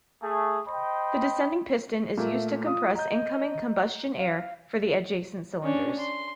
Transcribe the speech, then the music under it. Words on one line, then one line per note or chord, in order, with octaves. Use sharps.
The descending piston is used to compress incoming combustion air for the adjacent cylinders.
A3 G#4
C5 D#5 G5 B5
A#2 A3 A#3 E5
F4 D#6
D#5 A#5 G6
F5
C#4 D4
C6